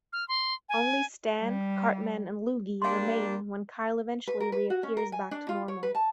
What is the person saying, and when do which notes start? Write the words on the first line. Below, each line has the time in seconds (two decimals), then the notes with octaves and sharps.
Only Stan, Cartman, and Loogie remain when Kyle eventually reappears back to normal.
0.13 F6
0.28 C6
0.69 G#5
1.41 G3
2.82 G3 A#3 D4 F5 C6
4.28 B4
4.40 A#4
4.52 B4
4.70 F#4
4.83 C#4
4.97 A#4
5.12 G#5
5.31 D4
5.49 F4
5.68 C#5
5.83 B4
5.95 A5